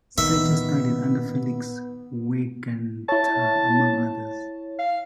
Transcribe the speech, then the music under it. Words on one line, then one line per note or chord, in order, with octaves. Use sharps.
Sacher studied under Felix Weingartner, among others.
A#2 D#3 B3 E5
E4 C#5 A5
F5